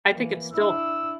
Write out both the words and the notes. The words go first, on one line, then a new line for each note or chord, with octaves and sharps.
I think it's still
E3 A#3
D4 E4 E6